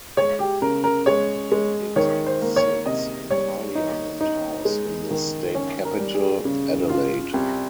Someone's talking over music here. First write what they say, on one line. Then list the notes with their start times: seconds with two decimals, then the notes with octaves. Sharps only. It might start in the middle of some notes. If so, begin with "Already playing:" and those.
It sits in Parliament House in the state capital, Adelaide.
0.17 G#3 C#5
0.39 G4
0.62 C#3 A#4
0.84 A#4
1.06 G#3 C#5
1.52 G#3
1.96 D#3 C#5
2.26 C5
2.42 A#3
2.56 C#5
2.86 C3 D#5
3.30 G3 C#5
3.75 D#4
4.21 D#4
4.65 G#3
5.11 D#3
5.55 C#4 C#5
5.85 A#4
6.00 G3
6.14 G#4
6.45 C#3
6.89 F4
7.34 C2